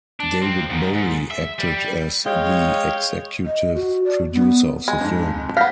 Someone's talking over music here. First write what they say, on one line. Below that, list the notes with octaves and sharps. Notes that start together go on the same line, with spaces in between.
David Bowie acted as the executive producer of the film.
D4
F3 C4
G#2 D#3
G#2
E5
G3
G#3 C#5 F5 G5
D#5
F#4
D5
B3
G#3
F2 G#2
B3 F5 G6 A#6 B6